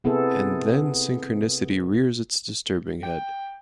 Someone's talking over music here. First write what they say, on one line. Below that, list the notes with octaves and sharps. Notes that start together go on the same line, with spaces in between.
And then synchronicity rears its disturbing head.
C3 B3 E4 G#4 A4
G5